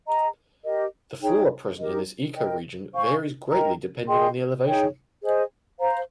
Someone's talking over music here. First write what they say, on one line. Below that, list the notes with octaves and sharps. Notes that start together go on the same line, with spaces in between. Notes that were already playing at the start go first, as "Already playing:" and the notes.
The flora present in this ecoregion varies greatly depending on elevation.
G#4 D#5 A#5
G4 A#4 D#5
D#4 G#4 C#5 G5
D#4 G4 A#4 D#5
A#4 D#5 G5
C5 F5 G#5 C#6
A#4 D#5 G5 A#5
G#4 D#5 G5 C6
D#4 G#4 C#5 G5
G#4 C5 D#5 G#5
C5 F5 A#5